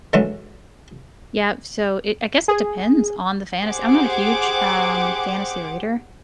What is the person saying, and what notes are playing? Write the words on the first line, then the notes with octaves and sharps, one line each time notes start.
Yep, so it I guess it depends on the fantas I'm not a huge, um, fantasy reader.
D3 E3 F#3 G#3 A3 D4
G#4
G4 G#4 C5 F#5 D6